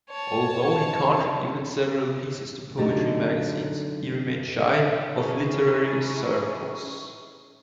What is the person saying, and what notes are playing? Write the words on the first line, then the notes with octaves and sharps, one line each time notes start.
Although he contributed several pieces to poetry magazines, he remained shy of literary circles.
C#5 A5
F#2 D3 A3 D4 D#4
C#4 D#4 E4 G#4 C#6